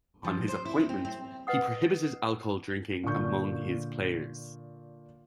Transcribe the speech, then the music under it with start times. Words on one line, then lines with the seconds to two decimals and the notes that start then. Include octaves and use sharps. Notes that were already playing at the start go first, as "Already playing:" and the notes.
Upon his appointment, he prohibited alcohol drinking among his players.
0.25 F3
0.48 C5
0.65 E4
0.89 C4
1.05 C4
1.47 B4 D#5 F#5 D#6
3.04 A#2 D3 C#6 G6